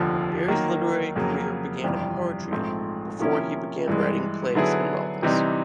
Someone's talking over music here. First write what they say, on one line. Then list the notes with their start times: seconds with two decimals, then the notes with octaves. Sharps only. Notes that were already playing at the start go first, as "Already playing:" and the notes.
Barry's literary career began in poetry before he began writing plays and novels.
Already playing: F1 D#2 D3 F3
0.48 D#3 F#3 A#3
1.16 F2 C#3 F#3 A#3
1.84 G1 F2 C3 E3 G3
2.52 A#1 G#2 F3 A3 C4
3.19 C3 F3 A#3 C#4 E4
3.88 G2 E3 G#3
4.55 D3 F#3 B3 E4 G#4
5.23 C3 E3 G3 C4 D#4